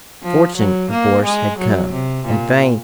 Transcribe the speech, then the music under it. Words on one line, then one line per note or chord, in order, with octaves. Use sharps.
Fortune, of course, had come, and fame.
F3
F#3
A#3
G#3
F#3
C3
A#2